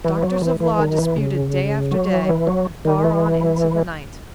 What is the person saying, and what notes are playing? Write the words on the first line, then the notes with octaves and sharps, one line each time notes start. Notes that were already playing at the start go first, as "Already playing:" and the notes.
Doctors of law disputed day after day, and far on into the night.
E3
F#3
E3
E3
D#3
E3
C#3
F#3
E3
F#3
D#3
E3